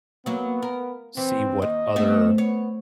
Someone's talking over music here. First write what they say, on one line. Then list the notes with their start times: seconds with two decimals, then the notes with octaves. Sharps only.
see what other
0.26 F#3 A#3 B3
0.62 A#4
1.17 E3 C4
1.62 D#2 D#5
1.96 A3 B3 C4
2.38 B3 C#5